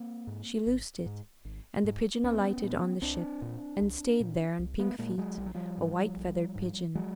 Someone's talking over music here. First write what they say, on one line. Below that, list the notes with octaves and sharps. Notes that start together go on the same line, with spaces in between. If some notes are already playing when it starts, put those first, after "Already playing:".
She loosed it, and the pigeon alighted on the ship, and stayed there on pink feet, a white-feathered pigeon.
Already playing: A#3 C4
G#2
G#1
G#2
G#1
G#2
C2 B3 C#4
A#2
C2 C4 D4
A#2
C2
A#2
C2
A3 B3
A#2 G#3 A#3
F#3 G#3
A#1 G3
F#3
F3 G3
G#2
A#1
G#2
F#3 G#3